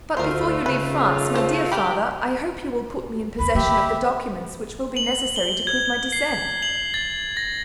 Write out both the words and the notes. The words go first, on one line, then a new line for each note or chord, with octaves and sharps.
"But before you leave France, my dear father, I hope you will put me in possession of the documents which will be necessary to prove my descent."
D2 D#3 A3 F4 A#4 C5
C#3 B4
C5 A5
D4 G4 A#4 B5
F#1 E2 B5
D3 A#3 G4 E5
F#7
G7
G#6
G7
C7
F#7
A6
A#6